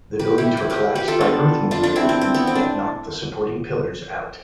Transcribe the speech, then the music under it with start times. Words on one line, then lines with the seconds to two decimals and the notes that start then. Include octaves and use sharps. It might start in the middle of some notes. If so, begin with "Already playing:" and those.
The buildings were collapsed by earthmoving equipment that knocked the supporting pillars out.
0.19 G4 B4
0.38 E4 G4
0.57 E4 G4
0.70 G4 B4
0.95 G4 B4
1.08 F4 A4
1.21 B3 D4
1.71 D4 F4
1.83 D4 F4
1.96 C4 E4
2.09 C4
2.21 C4
2.34 B3
2.47 C4
2.55 D4